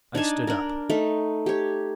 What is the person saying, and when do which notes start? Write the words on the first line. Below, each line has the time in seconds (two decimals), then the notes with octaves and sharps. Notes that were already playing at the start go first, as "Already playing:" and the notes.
I stood up.
0.15 D4 D#4 G#5 A5
0.47 D4 A#4
0.90 A3 D#4
1.46 G4 C#5